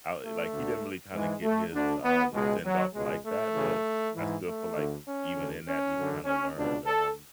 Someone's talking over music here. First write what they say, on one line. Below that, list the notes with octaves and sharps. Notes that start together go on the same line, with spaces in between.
I like, he didn't really kinda get his, um, send off like that, but I still feel like even in that he kinda learned, um,
A3
D2 D3
G#2 E3 G#3
A3
D2 D3 D4
B3
C#2 B2 G#3
F#3
C#2 B2 G#3
A3
F#2 C#3 E3
G#2 E3
A3
D2 D3
C#4
D2 D3
C#4
F#2 D3
C#4
C#2 B2 D4
A4